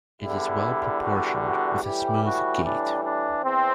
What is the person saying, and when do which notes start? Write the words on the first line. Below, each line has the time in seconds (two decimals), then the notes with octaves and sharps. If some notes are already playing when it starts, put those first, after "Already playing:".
It is well proportioned, with a smooth gait.
0.21 E2 D3 G3 E4
1.02 F#4
1.43 F#4
1.83 A2 E3 G3 G4
2.24 F#4
2.64 D4
3.04 D4
3.43 E2 C4